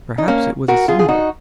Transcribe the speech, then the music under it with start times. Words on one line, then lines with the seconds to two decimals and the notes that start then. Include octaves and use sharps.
Perhaps it was a symbol.
0.18 D#4
0.28 A#3 C#4
0.68 F#4 A#4
0.88 F4 G#4
0.99 G#4
1.08 D#4 F#4